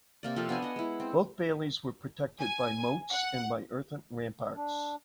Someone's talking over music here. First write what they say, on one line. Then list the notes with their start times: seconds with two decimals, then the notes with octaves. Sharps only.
Both baileys were protected by moats and by earthen ramparts.
0.23 C3 A#3 D5
0.36 F3 C4 A4 F5
0.49 B3 D4 D5 G#5
0.62 D#5 F#5
0.76 G#3 E4
1.00 C4
2.39 G#5
3.10 F#5
4.56 D4